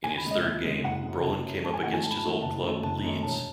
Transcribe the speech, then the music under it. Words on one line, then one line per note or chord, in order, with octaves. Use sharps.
In his third game, Brolin came up against his old club Leeds.
D#2 G#5
B5
C#3 G#3
D#5
D#2 E5
C#3 G#3
F#1 F#5
F#2 C#3
F#1 A5
F#2 C#3
G#2 A5
G#5
D#3 F#3 A3 E4 F#5
G#5
G#2 A5
B5
A5
D#3 F#3 A3 E4
F#1 A5
F#2 D#3 A3
F#1 A5
F#2 D#3 A3
E1 A5